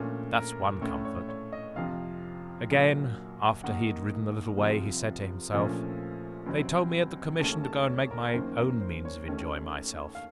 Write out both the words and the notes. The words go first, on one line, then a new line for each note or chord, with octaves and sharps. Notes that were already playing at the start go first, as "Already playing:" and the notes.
That's one comfort.' Again, after he had ridden a little way, he said to himself: 'they told me at the Commission to go and make my own means of enjoying myself.
Already playing: A#1 A#2 A3 C#4
A#4
A2 A3 C#4 A4
C#5
C#5
D#5
F2 C3 F3 F5
A#1 A#2 F#3
D#2 D#3 A#3 D#4 F#5
C2 C3 F3 C4
A#1 A#2 F3 A3 C#4
C#2 C3 F#3 C4
D#2 C#3 A3 C#4 A5
A5
C#5
A#4
F#2 D#3 A#3 C#4 C5
A#4
C5
C#5
D#2 D#3 A3 C#4
F5